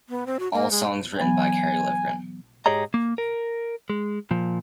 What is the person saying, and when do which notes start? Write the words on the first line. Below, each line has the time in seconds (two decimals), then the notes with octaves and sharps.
All songs written by Kerry Livgren.
0.09 B3
0.27 C4
0.39 F#4
0.53 A#3
0.71 G#3
1.19 E3 F#3 B3 G#5
2.66 G#2 G4 G#4 C#5 D#5 A#5
2.94 A#3
3.18 A#4
3.90 G#3
4.31 A#2 F3